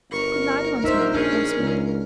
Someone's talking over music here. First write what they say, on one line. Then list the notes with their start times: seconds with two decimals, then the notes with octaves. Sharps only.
Good-night once more, my sweet.'
0.11 G1 A#4 C#6
0.84 A#1 D#4 C5 E5
1.13 C#4 D4 G#4
1.59 C#2